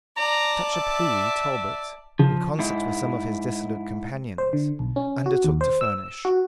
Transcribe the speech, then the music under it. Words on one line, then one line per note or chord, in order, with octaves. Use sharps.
Such a plea Talbot, in concert with some of his dissolute companions, undertook to furnish.
D5 A5 A#5
E5
C#3 F3
G#2 E4
C5
D3
B1
C#4
F#4
D#2
C5
E6
F#4